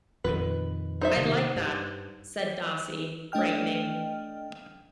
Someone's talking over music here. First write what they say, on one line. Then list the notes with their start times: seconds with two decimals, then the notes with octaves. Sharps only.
"I'd like that," said Darcie, brightening.
0.24 F2 A#2 D#3 B4
1.01 D#4 C5 E5
1.17 C3 D#3
1.56 G2
3.32 A3 D4 D#5 G5 F6